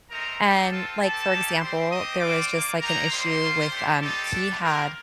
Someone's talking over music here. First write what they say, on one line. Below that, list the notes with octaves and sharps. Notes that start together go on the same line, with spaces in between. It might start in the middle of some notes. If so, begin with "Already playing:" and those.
And, like, for example, there was just, like, an issue with, um he had
A3 C4 D#4 A#4 A#5
A#3 D#4 G4 A4 A5
C4 F4
C4 G4 A4 A5
A#3 D#4 G4
G3 C4 G4 C5 C6
C4 G4 D#5 D#6
F4 D5 D6
C4
A#3 F4
A#3 D#4 G4 A#4 A#5
G3 A#3 D#4 C5 C6
A#3 F4
A3 D4 G4
G3 C4 D#4 G4 A4 A5
A3 D4 G4
G3 A#3 C4 F4 A#4